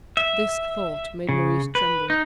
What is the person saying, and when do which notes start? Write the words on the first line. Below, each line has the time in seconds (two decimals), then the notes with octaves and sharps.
This thought made Maurice tremble.
0.17 E5
1.29 C#3
1.75 B4
2.10 D#4